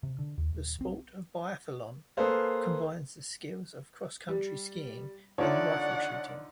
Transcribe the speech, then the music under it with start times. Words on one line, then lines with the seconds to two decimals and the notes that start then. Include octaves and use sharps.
The sport of biathlon combines the skills of cross-country skiing and rifle shooting.
0.03 C3
0.19 D3
0.38 D#2
0.53 D#1
0.79 B1 C4
2.17 A#3 G#4 A4 B4 C5 F5
4.29 G3
5.38 D3 D#4 F4 C#5 D5 E5 F#5 A5